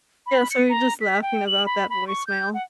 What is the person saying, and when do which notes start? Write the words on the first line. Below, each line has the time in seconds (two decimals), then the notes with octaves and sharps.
Yeah, so we're just laughing about that voicemail.
0.26 B5
0.51 C#7
0.69 A#5
1.01 B6
1.22 G5
1.47 F#7
1.66 B5
1.90 B5
2.08 C#6
2.27 G6
2.54 F#5